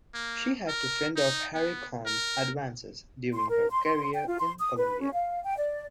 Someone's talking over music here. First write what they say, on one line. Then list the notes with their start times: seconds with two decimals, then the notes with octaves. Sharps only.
She had to fend off Harry Cohn's advances during her career in Columbia.
0.14 A#3
0.68 A#4
1.16 D#4
1.54 B3
2.06 A#4
3.34 C6
3.49 A#4
3.71 C6
4.13 G5
4.28 F4
4.39 C6
4.60 D#6
4.77 B4
5.00 C#4
5.13 F5
5.44 G5
5.58 D5